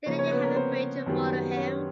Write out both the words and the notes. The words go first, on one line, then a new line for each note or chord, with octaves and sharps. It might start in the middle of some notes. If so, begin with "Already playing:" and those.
Didn't you have a brain to follow him?
C#3 F3 A#3 C#4 C#5
C#4 C#5
B3 B4
A#4
C4 C5
F#2 D#3 G3 B3
C#4 C#5